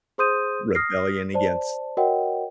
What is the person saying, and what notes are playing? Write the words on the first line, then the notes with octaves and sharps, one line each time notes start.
rebellion against
G#4 C5 C6 D#6 G6 D#7
D#6 F6 A#6 C7
C5 D5 A5
F#4 A#4 C#5 D#5 F#5 G5